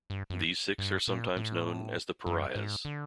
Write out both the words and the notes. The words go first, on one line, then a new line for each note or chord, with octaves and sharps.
These six are sometimes known as the pariahs.
G2
F#2
G2
A#2
A2
F#2
G#2
D3